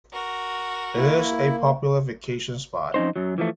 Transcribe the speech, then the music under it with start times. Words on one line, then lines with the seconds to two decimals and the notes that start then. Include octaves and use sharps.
It is a popular vacation spot.
0.12 F#4 A#4
0.96 A#3 E4
2.94 F2 C#4 D#4 C5
3.16 F#2 F#3
3.38 E3 F3 A3